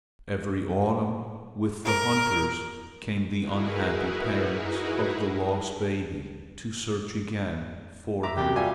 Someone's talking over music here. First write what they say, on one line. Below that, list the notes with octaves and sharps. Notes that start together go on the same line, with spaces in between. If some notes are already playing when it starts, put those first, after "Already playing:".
Every autumn with the hunters came the unhappy parents of the lost baby to search again for him.
A#4
D#4 E4 F#4 G#4 A#4 B4
E5 A#5 D6
C2 F#2 G4
G3 F4 E5 G#5